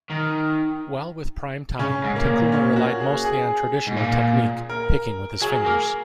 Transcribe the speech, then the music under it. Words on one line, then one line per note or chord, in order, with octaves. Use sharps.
While with "Prime Time", Tacuma relied mostly on traditional technique, picking with his fingers.
D#3
C#3 C#4
G#2
A#3
C#3
A#2
C#4
F#4
G#4
G#4
G#2
A#2
A#4
F#3 G#4
A#3